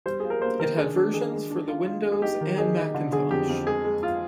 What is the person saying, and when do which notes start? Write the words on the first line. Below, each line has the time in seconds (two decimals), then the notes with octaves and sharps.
It had versions for the Windows and Macintosh.
0.06 G3 C5
0.20 F4 G#4
0.30 A#4
0.41 A#3 C5
0.59 D#3 A#4
0.77 D4 G#4
0.96 D4
1.14 D#3 G#4
1.32 G#3
1.51 D4
1.68 F4
1.86 F4
2.04 G#3
2.12 G#4
2.22 D#4 G4
2.41 D#3
2.58 D#4 G#4
2.77 D#4
2.94 D3
3.12 D3 G#4
3.31 F2 G4
3.49 F2
3.67 G#3 G#4
3.85 G#3
4.03 F4